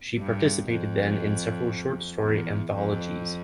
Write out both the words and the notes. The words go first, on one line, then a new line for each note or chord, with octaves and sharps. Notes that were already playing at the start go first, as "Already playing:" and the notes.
She participated then in several short story anthologies.
G2
F2
E2
F2